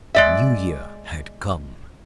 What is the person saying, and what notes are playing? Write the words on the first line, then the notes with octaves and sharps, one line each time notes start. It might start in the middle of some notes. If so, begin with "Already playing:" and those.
The new year had come.
G#3 D5 E5